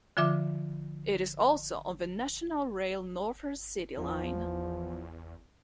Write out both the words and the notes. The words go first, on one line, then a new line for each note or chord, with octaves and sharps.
It is also on the National Rail Northern City Line.
D3 F3 F4 E5 D6
E2 F3